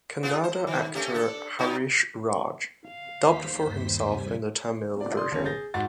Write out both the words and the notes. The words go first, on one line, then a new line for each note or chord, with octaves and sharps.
Kannada actor Harish Raj dubbed for himself in the Tamil version.
B3 F4 G#4
C5
D#3
A3 C#4 G4
D4 A4
F#3 D#4 F4
F5
D#2 C5 B6
G2
C3 G3 G#5
D5
D5 C6 D#6
G1 C#4
G#4 G6 A6 A#6
G#2 F#4 A6